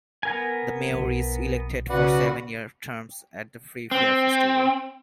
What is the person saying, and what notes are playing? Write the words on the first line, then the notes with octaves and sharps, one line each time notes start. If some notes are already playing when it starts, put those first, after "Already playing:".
The Mayor is elected for seven-year terms at the Free Fair Festival.
B3 A#4 G#5
B1
C#3 F#4 B4 D5 F#5
C4